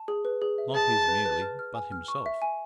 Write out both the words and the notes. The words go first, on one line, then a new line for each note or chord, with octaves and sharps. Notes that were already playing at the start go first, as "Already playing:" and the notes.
Not his merely, but himself.
Already playing: A5
G#4
B4
G#4
E5
G#4 A5
G#4
B4
B4
F6
F6
G#5
F6
C#6
E5
G#5